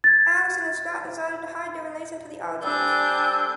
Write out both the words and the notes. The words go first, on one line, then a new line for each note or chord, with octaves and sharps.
Allison and Scott decided to hide their relation to the Argent.
G#6 A6
G3 C4 D4 A4 G#5 G6